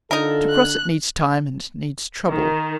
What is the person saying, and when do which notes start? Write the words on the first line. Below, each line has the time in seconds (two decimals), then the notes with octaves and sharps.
To cross it needs time and needs trouble.
0.11 D3 D#4 F4 A4 A#4
0.50 F#6
2.28 D#3